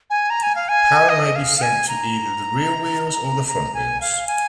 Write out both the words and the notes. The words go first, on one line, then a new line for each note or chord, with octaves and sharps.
Power may be sent to either the rear wheels or the front wheels.
G#5
A#5
G#5
F5
G#5
D#5
F5
F5
G#5
A#5
A#5
G#5
F5
G#5